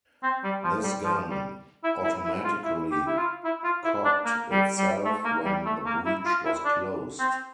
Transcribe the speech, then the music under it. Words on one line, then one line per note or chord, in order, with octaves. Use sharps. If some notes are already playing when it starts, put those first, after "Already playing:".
This gun automatically cocked itself when the breech was closed.
C4
G3
F3
G3
F3
G3
E4
E4
E4
F4
E4
G4
E4
F4
E4
F4
E4
D4
A#3
G3
G3
A3
A#3
G3
A3
A#3
E4
F4
E4
D4
C4